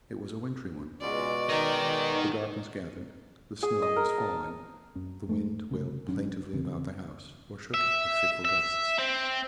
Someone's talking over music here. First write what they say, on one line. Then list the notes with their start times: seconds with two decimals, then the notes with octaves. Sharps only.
It was a wintry one. The darkness gathered, the snow was falling, the wind wailed plaintively about the house or shook it with fitful gusts.
1.01 C#2 B2 G#3 F#4 D5
1.49 D#3 D#4 A#4
3.63 G#4
3.82 D#5
3.96 A#4
4.18 A5
4.95 F#2 C#4
5.28 F2 A3
5.70 C2 C#3 A3
6.07 G#1 F#2 C#4 D4
6.53 G1 E2 C#3 C4
7.74 E5
8.45 E5
8.99 C4